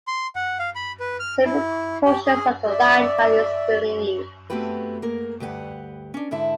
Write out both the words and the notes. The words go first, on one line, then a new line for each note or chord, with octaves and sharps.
Several portions of the line are still in use.
C6
F#5
F5
B5
B4
F6
E4
G4
G#4
D5 E5
A3 B3 C4 F#4 G4 B4
A#3 G#4 A#4
D2 G2 G4 B4 F#5
C#4 D4
G#2 D3 E4 E5 A5